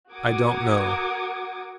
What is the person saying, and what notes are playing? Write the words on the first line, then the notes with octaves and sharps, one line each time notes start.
I don't know.
F#4 A#4 D6 D#6 G#6 C#7